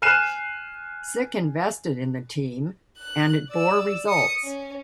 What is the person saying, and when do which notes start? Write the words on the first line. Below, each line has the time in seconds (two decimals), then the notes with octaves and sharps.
Sick invested in the team, and it bore results.
0.02 G#5 F6 F#6 C7 D#7 E7
2.97 F#6
3.50 D5 E6
4.08 D#6 C#7
4.43 C#4